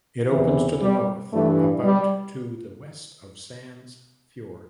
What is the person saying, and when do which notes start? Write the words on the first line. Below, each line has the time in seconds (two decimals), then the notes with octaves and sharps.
It opens to the north about to the west of Sands Fjord.
0.31 E2 C3 E3
0.82 G3
1.33 G2 E3 A3
1.84 G3